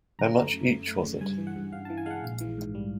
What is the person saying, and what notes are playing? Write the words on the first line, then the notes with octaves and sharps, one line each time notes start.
How much each was it?
F#2 A#5
A3
F#2
F#2
A3
C#3
G2 G#5
E3
F#5
G2
G2 F5
E3 A5
G#5
G#3 F5 F#5
A#1 F5
E3
G#2
G3